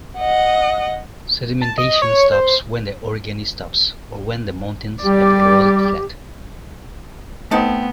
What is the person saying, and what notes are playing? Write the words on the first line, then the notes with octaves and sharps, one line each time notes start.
Sedimentation stops when the orogeny stops, or when the mountains have eroded flat.
D#5 F#5
A5
D#5
C#5
C5
G3 G4 D5
A3 B3 C4 D#4 A5